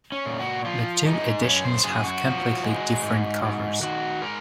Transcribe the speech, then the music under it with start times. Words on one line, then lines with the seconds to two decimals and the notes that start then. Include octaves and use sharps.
The two editions have completely different covers.
0.12 C#4
0.26 A#2
0.39 F#4
0.65 F3 F4
1.05 G#3 D#4
1.44 F#2 C#4
1.64 C5
1.84 F#2 G#4
2.04 F#4
2.24 F3
2.64 G#3
3.03 G#2
3.43 G#2
3.82 D#3 F#4
4.21 G#3 A#4